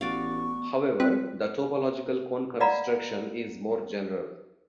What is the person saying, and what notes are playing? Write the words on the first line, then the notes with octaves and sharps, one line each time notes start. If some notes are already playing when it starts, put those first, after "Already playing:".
However, the topological cone construction is more general.
A1 B3 F#4 D5 F5 C#6
C4 F4 B4 F#6 B6
D5 D#5 F5 F#5 A#5 B5